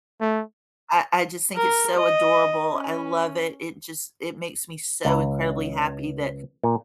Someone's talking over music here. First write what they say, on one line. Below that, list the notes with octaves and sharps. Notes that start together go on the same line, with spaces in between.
I I just think it's so adorable. I love it. It just it makes me so incredibly happy that,
A3
A#4
D#5
C#4
C#2
A#2